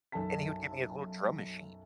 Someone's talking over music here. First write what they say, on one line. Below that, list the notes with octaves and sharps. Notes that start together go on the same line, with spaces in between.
and he would give me a little drum machine.
B1 F#2 A4 G#5 A5 B6